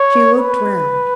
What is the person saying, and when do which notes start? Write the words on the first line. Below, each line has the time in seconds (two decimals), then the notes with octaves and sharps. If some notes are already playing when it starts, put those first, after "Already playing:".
She looked round.
Already playing: C#5
0.39 B4